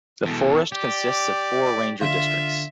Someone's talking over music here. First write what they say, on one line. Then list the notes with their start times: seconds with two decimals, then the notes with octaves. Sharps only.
The forest consists of four ranger districts.
0.25 E2 B2 A4
0.72 G4 D5
2.01 D3 F4 E5 F5 C6